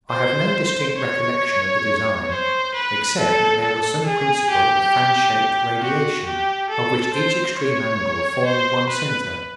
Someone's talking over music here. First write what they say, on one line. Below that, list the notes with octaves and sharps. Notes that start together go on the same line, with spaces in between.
I have no distinct recollection of the design, except that there was some principle of fan-shaped radiation, of which each extreme angle formed one centre.
C5
C#5
C5
B4
A4
A4
G#4
G4
F#4
G4
A4
C5
C#5
C5
B4